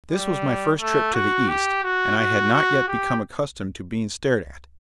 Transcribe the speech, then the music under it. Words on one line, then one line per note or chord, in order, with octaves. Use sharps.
This was my first trip to the East, and I had not yet become accustomed to being stared at.
G3
A3
F#4
G4
F#4
F#4
F#4
G4